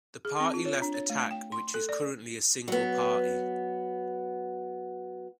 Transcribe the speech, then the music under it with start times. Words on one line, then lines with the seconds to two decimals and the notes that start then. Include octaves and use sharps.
The party left Attack which is currently a single party.
0.25 G#4
0.40 C4
0.54 F4
0.65 C#5
0.82 D4
0.94 C#5
1.10 A3
1.31 G5
1.52 C6
1.74 A4
1.89 D5
2.68 F#3 B3